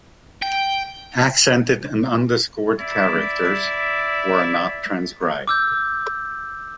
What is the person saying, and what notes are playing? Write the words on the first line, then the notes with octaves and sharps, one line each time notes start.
Accented and underscored characters were not transcribed.
G5
E4 D5 E5
D6 E6 G6